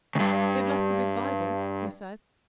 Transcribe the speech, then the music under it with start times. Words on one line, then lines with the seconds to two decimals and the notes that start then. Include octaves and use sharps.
"They've left the big Bible," he said.
0.15 D2 G2